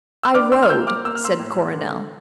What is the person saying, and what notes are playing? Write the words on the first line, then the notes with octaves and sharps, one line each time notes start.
"I rode," said Coronel.
E6
D4 D6 F6
C6 E6
F6
A#3 E6 G6
D6 F6
A#3 E6
F6
C6 E6
A2
D3